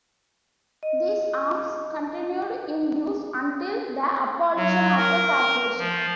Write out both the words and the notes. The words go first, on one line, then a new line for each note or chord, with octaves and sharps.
These arms continued in use until the abolition of the corporation.
D#5
F#3
A#4
F3